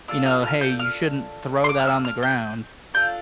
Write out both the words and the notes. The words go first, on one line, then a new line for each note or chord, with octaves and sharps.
you know, "Hey you shouldn't throw that on the ground,
D4 F4 A4 E6
F6
F6
G6
F6
C6
D6
F6
E6
F6
G6
D4 F4 A4 G6